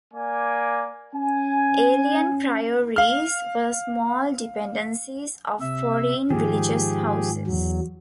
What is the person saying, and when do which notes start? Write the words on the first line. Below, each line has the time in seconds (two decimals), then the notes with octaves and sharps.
Alien Priories were small dependencies of foreign religious houses.
0.13 A#3 D5 G#5
1.14 C#4 G#5
2.96 F5 F6
5.61 C3 E5
6.30 G#2 D#3 F3 G4 G#4
7.47 E2 F#3